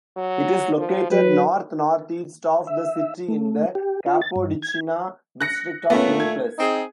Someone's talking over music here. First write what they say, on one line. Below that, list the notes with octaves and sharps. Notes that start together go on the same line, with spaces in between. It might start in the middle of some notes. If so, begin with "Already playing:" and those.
It is located north-northeast of the city in the Capodichino district of Naples.
F#3
F3
F#3 B4
E5
A3
G4
F4
A6
G2
G#6
F#6 A#6 C#7
A#2 A3 B3 C#4
G#6
C4 D#4 G#4